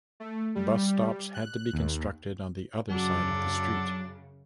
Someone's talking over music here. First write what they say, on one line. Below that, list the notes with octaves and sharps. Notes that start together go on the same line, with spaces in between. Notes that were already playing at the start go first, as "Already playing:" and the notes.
Bus stops had to be constructed on the other side of the street.
A3
G3
F#6
D#2
F#2 C#3 F#3 D4 A4